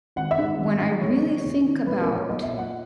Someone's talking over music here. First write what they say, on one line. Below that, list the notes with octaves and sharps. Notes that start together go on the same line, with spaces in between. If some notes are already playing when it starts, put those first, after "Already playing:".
when I really think about
G#1 F#5
E5
G#2 D#3
G#1
G#2 D#3
E2 C#5
D#3
E2
D#3
B1 B4
A#4
A#2
C#5
B1 D#5
E5
A#2
F#5